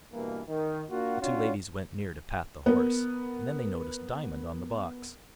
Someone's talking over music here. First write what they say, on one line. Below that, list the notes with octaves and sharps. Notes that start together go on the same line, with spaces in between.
The two ladies went near to pat the horse, and then they noticed Diamond on the box.
G2 B2 E3 A#3
D#3
A#3 D4 F4 F#4
C#4 D4 F4 F#4 C#5
B3 A#4